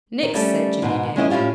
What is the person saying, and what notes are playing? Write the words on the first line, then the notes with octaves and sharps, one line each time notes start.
"Nix!" said Jimmie Dale.
D#3
G3 A3 C#4 A4
G#2 B2
G#3 C#4 E4 D#5
A2 C#4 E4 F4 G4